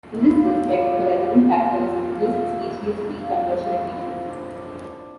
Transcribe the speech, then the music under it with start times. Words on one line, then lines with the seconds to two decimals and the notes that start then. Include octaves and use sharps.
In this respect, a relevant factor is the produced species' feed conversion efficiency.
0.20 E4
0.32 F4
0.45 G4
0.57 A4
0.69 B4
1.53 F4
2.35 E5
3.18 F5
3.40 G4
3.60 F4
3.81 E4
4.02 C4
4.29 D4
4.57 D4
4.84 D4